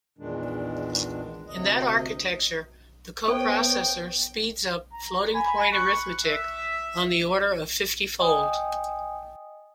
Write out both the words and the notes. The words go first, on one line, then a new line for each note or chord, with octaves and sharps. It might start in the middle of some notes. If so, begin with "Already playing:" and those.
In that architecture, the coprocessor speeds up floating-point arithmetic on the order of fiftyfold.
E2 A#2 D#3 G#3 D4
D2 C3 D#5
B3 A4 C5 C#5 G5
A#5
G#5 B5
C#6 F#6
E5
D#5 G5 G#5 D#6